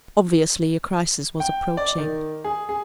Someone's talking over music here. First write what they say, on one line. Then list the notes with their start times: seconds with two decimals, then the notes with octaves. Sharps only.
Obviously, a crisis was approaching.
1.40 G5
1.77 D5
1.98 D#3
2.44 G#4
2.69 G#4